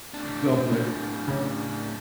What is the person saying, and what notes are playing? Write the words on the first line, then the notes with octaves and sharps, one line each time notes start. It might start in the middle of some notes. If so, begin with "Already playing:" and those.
Well put.
A2 D4
C#3